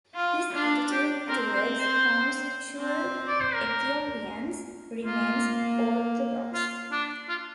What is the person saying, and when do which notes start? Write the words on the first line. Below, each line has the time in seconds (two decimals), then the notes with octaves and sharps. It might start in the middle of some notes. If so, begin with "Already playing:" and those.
His attitude towards homosexual Ethiopians remains orthodox.
0.15 F4
0.53 D4 F4
0.91 G4
1.28 C4 A#4
1.53 C5
1.78 C5
2.78 C4
3.27 D5
3.40 C5
3.53 A#4
5.03 A#3 F4
6.53 F4
6.91 D4
7.28 F4